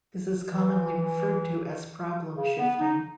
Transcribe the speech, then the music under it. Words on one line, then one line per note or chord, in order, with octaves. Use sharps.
This is commonly referred to as problem shifting.
E3
C#3
B3
D#4